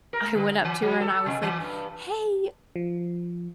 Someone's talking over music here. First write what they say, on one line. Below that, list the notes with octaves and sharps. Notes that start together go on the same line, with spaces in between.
I went up to her, and I was like, "Hey,
A#4
D3
E3
F#3
A4
C3
E3
G2
F3